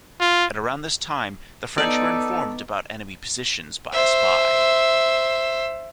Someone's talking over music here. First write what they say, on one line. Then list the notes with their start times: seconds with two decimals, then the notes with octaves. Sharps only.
At around this time, the French were informed about enemy positions by a spy.
0.20 F4
1.78 B3 D#4 A4 D5
3.92 C5 E5